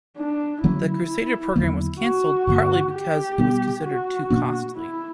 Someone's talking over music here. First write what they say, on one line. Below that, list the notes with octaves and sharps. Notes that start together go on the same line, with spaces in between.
The Crusader program was cancelled, partly because it was considered too costly.
D4
D3 F#3 A#3 C#4 E4
E2 D3 F#3 A#3
F#4
G2 D3 A#3
G4
B2 G3 B3
F#4
B2 A#3 D4
E4